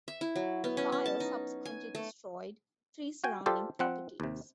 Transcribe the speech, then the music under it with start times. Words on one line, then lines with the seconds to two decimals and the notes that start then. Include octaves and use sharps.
The fire subsequently destroyed three surrounding properties.
0.08 E5
0.21 E4
0.36 F#3
0.64 B3
0.77 C#4
0.92 C#4
1.06 A5
1.20 D#4
1.65 G#5
1.95 A3
3.24 F#4 G5 G#5
3.46 F4 G4 A4 C5 D5
3.79 F3 C4 F#5
4.20 D#2 C3